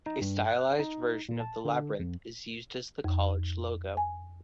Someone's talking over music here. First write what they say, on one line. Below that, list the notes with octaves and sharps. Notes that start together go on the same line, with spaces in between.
A stylised version of the labyrinth is used as the college logo.
D#4
G2
F#6
D#4
A#2
A5
D3
F2
F2
G#5